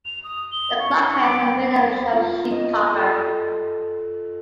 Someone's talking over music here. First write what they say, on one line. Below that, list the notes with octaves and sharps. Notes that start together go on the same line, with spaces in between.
The clock hands are made out of sheet copper.
F7
D#6
G7
C#6
C#6
D6
G5
F4
D#5
A4